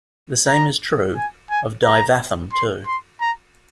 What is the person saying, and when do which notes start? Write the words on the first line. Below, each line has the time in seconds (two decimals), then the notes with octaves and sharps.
The same is true of Daivatham too.
0.48 A#5
1.16 G#5
1.50 G#5
1.85 A#5
2.53 C6
2.87 C6
3.21 A#5